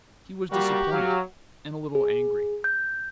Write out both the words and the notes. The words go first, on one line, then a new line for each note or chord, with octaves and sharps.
He was disappointed, and a little angry.
G3 A#3 F#4 G4
F#3 F5
G#4
G6